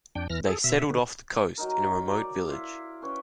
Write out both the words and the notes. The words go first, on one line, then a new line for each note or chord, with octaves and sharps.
They settled off the coast in a remote village.
F2 D4 G5
E2 E3 F6 A#6
G#4 A4
B2 E5
D3 B3
F#3 D#4 A#4
D5
E4 F4
C#4 B4 C#5 G5